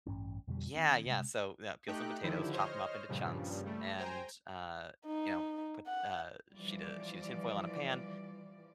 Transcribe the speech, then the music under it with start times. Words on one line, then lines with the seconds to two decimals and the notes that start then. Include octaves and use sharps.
Yeah, yeah, so, yeah, peel some potatoes, chop 'em up into chunks, and, uh, you know, put, uh, a sheet a sheet of tinfoil on a pan,
0.07 A1 G2 C#4
0.48 F2 B2 D3 G3
0.75 D#3 C4 D4
1.06 C3 G#3
1.87 A3 D#4 G4 G5 F#6
2.23 D3 D#3 F3 E4 G4
2.53 C5 C#5 D#5 F6
3.09 G2 A#2 C#3 F3 G3
3.65 G3 A3
3.98 C5 G5 G#5 A#5
5.06 D#4
5.87 F#5
6.54 E3 F3 G3 D5